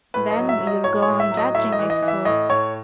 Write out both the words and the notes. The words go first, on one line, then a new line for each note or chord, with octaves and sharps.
"Then you'll go on judging, I suppose."
A2 B4
D#5
F#3
E5
F#3
D#5
A2 C#5
C#5
A2
E5
F#3
D#5
A2 E5
D#5
E3
D#5
E3
E5
A2 D#5
A2 C#5